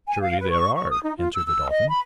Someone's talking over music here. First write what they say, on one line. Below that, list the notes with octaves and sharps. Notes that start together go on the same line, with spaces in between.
"Surely, there are," answered the Dolphin.
G#5
F5
B4
C#6
C#6
D#6
D#4
F4
E6
E6
D#5
B5